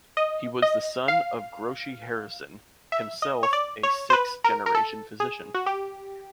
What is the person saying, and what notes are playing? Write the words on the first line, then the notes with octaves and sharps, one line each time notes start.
He was the son of Groce Harrison, himself a sixth-generation physician.
D#5
D#5
F5
E5
D#5
C#5
D5
C#5
C5
B4
A#4
A#4
A4
G#4
F#4
G4